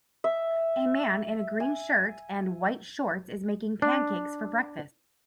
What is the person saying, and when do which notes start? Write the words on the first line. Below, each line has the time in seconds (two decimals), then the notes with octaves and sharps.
A man in a green shirt and white shorts is making pancakes for breakfast.
0.24 E5
1.60 G#5
3.82 D4